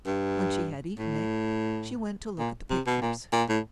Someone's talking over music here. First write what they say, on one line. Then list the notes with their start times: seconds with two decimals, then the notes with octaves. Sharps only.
When she had eaten it, she went to look at the pictures.
0.06 G2
0.99 A2
2.39 A#2
2.70 C3
2.86 B2
3.02 A#2
3.32 A#2
3.49 A2